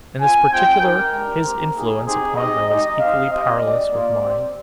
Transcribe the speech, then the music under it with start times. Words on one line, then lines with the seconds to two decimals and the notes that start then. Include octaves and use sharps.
In this particular, his influence upon her was equally powerless with mine.
0.19 C4 F4 G#5
0.50 G#3 C4 F4 G5
0.81 C4 D#4 G4 A#4
1.12 G#3 D4 G4
1.43 C4 G4
1.74 A#3 D#4 G4 G#4
2.05 C4 D#4 G4 G#4
2.36 C4 D#4 G4 D#5
2.67 G#3 D#4 G4 D#5
2.99 C4 D#4 G4 F5
3.30 C4 G4 D#5
3.61 G#3 D4 G4 D5
3.91 A#3 F4
4.23 C4 G4